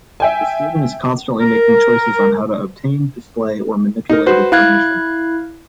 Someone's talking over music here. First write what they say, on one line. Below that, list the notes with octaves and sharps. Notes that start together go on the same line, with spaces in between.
The student is constantly making choices on how to obtain, display, or manipulate information.
E5 G5 G#5
A#4
D#4 A#4
F#4 B4 C5
E4 F5 F#6 G#6